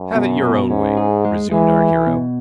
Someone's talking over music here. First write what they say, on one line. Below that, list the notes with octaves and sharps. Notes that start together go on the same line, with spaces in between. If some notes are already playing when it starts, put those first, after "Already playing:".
"Have it your own way," resumed our hero.
Already playing: F#2
B2
B2
G#2 C#4
G#4
G#3
E3 G#3
E4
B2